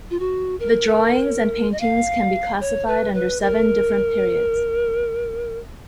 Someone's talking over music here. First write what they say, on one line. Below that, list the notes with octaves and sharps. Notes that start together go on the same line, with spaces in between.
The drawings and paintings can be classified under seven different periods.
F4
F#4
A#4
D#5
F5
C#5
B4
B4
A#4